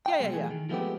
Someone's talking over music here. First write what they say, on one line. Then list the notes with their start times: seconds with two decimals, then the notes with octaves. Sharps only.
Yeah, yeah, yeah.
0.06 G5
0.20 B2 F#3 G#3
0.33 E3 A3 G#4
0.50 D#3
0.69 F3 G#3 A3 B3 C4 G4